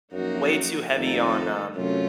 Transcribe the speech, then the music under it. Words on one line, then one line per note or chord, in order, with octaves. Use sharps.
way too heavy on, um,
F#2 F3 A#3 D#4 F#4 A#4
F2 D#3 A3 D#4 A4
F#2 C3 F#3 A3 C#4 F4